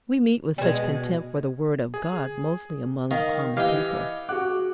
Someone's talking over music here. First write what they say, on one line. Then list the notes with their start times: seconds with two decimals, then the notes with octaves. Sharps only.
We meet with such contempt for the Word of God mostly among the common people.
0.58 B2 G3 G#3
1.94 G#4
3.11 D#3 F5
3.57 E3 G4 D#5 F5 G5
4.29 F#4 G#4 F#5 D6 F#6